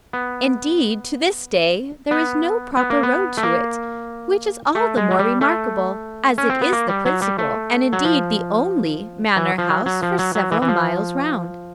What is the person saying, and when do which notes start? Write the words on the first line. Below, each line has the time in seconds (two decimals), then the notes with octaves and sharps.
Indeed to this day there is no proper road to it, which is all the more remarkable as it is the principal, and indeed the only, manor house for several miles round.
0.13 B3
2.11 B3
2.77 B3
2.90 A#3
3.03 B3
3.37 A3
3.43 A#3
4.75 A3
4.97 G#3
5.11 F#3
5.19 G3
5.41 A3
6.38 C#4
6.50 C4
6.61 B3
6.73 A#3
6.89 G3
7.05 F#3
7.22 G3
7.39 A3
7.93 F#3
8.05 F3
9.36 E3
9.58 F3
9.69 F#3
9.86 F#3
10.03 F3
10.19 F#3
10.35 F#3
10.52 E3
10.62 E3
10.68 F3